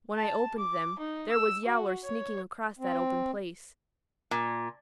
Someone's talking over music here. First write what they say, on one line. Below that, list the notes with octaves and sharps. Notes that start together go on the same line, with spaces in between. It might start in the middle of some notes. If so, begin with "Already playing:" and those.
When I opened them, there was Yowler sneaking across that open place.
A5
D6
D#4
E6
F#4
C#5
C4
A#2